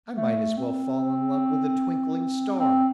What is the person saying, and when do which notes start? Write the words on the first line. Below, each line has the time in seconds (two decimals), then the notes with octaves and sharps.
I might as well fall in love with a twinkling star.
0.16 A3
0.57 C4
2.59 C4